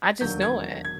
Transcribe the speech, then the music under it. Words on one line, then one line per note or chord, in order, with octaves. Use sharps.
I just know it.
E1 D#2 D3 F#3 A#3 G6
G#6
G#6